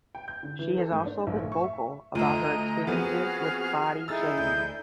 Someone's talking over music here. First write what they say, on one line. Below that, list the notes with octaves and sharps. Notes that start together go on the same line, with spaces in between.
She has also been vocal about her experiences with body shaming.
G5
G6
D3
E3
A4
G#2
D4
A#1
A3
C#6
E5
D2 F4 D#5 E5 A#5 D#7
F3 B3 C4 F#4 G#4 F6 D#7
D#4 E4 G#4 E6 A6
D2 G6